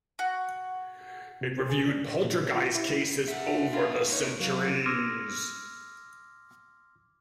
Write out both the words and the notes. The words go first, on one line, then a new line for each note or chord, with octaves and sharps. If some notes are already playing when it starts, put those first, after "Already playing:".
It reviewed poltergeist cases over the centuries.
F#4
C3
G#4
D4
A#2
A#2
F4
E4
A#4 E5 F#5
B3 F4
A#3 D#4 C#5
F#3 F5
C6 D6 E6 F6 G#6 A#6